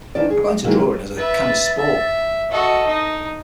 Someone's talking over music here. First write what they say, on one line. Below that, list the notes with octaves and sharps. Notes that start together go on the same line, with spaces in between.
I got into drawing as a kind of sport.
D#3 E3 D4 F4 D5
G#4
D#3 E3 F#3 G#3 A#3
B4 E5 A6
E5
F#4 A4 D#5
D#4